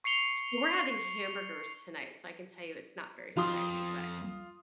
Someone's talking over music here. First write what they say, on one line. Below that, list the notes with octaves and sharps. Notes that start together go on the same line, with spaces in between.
Well, we're having hamburgers tonight, so I can tell you it's not very surprising, but,
C#6 C7 C#7 F7 G7
F2 F4 C6 D#6